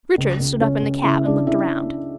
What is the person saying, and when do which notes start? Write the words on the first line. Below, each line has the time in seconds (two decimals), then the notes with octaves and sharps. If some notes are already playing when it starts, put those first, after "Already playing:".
Richard stood up in the cab and looked around.
0.17 C#2
0.39 C#2
0.60 C#2 C#4 C#5
0.82 C#2
1.03 C#3 E4 E5
1.25 C#3 D4 D5
1.47 C#3 E4 E5